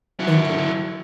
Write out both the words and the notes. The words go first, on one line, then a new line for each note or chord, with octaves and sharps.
Thank you.
F#3 E4